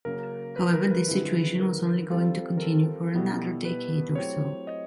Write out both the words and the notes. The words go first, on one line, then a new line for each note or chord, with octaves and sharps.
However, this situation was only going to continue for another decade or so.
C#3 F#3 A#3 C#4 A#4
B4
A#4
B4
D3 F3 G#3 C4 E4
A#4
G3 C4 F4 A4
A#4
A4
B2 G3 B3 E4
B4
F#3 A3 C4 E4 G4 C#5
D#5